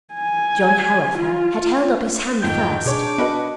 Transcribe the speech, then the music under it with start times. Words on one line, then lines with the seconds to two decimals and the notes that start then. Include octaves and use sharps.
John, however, had held up his hand first.
0.14 G#5
1.18 F4
2.42 F2 G#2 D#3 G5 G6
2.86 B2 D4 G#4 C#5 D6
3.18 B3 F#4 A#4 B4 D#5 F#5